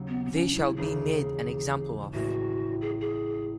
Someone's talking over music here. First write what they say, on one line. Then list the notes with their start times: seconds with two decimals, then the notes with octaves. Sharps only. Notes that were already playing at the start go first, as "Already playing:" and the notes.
They shall be made an example of.
Already playing: D#2 C#3 F#3
0.08 B3
0.25 B3
0.31 C#4
0.54 E4
0.77 E1 D#2 C#3 E3 G#4
2.13 A1 A2 G#3 F#4
2.81 G#4
3.01 G#4